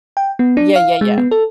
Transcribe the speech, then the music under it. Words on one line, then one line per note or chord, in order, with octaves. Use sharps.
Yeah, yeah, yeah.
G5
B3
D4
F5
G#3
B3
A4